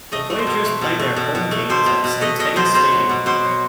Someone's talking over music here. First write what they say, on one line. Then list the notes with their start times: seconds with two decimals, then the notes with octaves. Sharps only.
The Voyagers play their home games at Centene Stadium.
0.12 A3 D#5
0.30 A3
0.38 C5
0.46 B2
0.65 A3
0.81 B2
0.99 A3
1.16 B2
1.35 B2
1.51 A3
1.69 B2 C5
1.86 B2
2.04 B2
2.21 A3 D#5
2.39 B2 D#5
2.56 B2 C5
2.74 B2 C5
2.92 F#3
3.09 B2
3.26 B2 C5
3.44 F#3